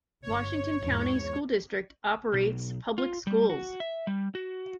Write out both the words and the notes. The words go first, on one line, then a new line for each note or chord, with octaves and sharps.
Washington County School District operates public schools.
G1 C#5
E2 G#2
B1
F4
G3
F#4
E5
G3
F#4